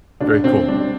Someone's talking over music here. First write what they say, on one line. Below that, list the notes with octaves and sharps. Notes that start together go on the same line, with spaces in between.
very cool.
D2 D4
D2 C4
G3 D4